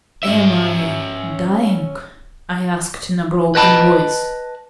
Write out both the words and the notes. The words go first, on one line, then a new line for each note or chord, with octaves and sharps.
"Am I dying?" I asked in a broken voice.
C#4 E5
B4 D#5 A5 B5